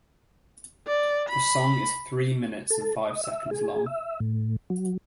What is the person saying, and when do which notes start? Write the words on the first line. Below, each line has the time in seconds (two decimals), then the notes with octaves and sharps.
The song is three minutes and five seconds long.
0.87 D5
1.28 B5
2.70 A4
3.07 D#5
3.24 E5
3.51 G#4
3.86 E5
4.20 A2
4.70 F#3